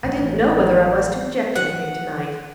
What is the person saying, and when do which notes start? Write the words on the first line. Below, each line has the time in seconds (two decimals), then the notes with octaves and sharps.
I didn't know whether I was to inject anything to-night.
0.04 A1
1.55 F#5